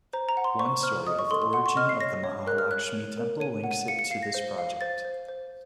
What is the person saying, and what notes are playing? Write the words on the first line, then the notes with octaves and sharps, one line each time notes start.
One story of the origin of the Mahalaxmi temple links it to this project.
C5 A#5
A#5
F#5
C6
C5 C#6
C5 F6
D#5 D#6
C#6
A4 C6
C6
F#5 C6
C#6
D#5 F6
C7
C#5 A#6
C#5
A#4 F#6
F6
C#5 F#6
C#5
A#4
C#5 D#7
F#5
D#7
F5 C#7
C#7
F5 C7
A#6
C5
F5
C5 A6
C5
C5